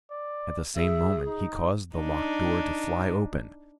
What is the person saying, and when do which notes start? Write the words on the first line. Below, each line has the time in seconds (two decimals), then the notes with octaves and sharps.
At the same moment he caused the locked door to fly open.
0.11 D5
0.76 G#4 E5
1.27 D#4
1.96 D4 D#4